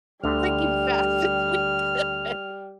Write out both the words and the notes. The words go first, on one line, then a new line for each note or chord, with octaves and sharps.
freaking fast as we could.
D2 D3 G3 F6